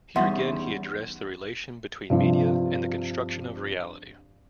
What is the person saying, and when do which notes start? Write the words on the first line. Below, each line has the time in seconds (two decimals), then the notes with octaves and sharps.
Here again he addressed the relation between media and the construction of reality.
0.16 E2 G3 C#4 D#4 E5 F#5 C6
2.10 G2 C3 F3